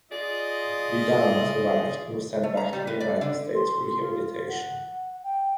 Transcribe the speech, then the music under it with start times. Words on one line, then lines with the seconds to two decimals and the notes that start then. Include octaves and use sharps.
Vidana survived and was sent back to the United States for rehabilitation.
0.11 F4 G#4 D5 D#5
2.43 A3
2.57 A#5
2.73 G3
2.87 B4
3.00 D5
3.21 D3
3.55 C6
4.00 F4
4.49 F#5
5.24 G5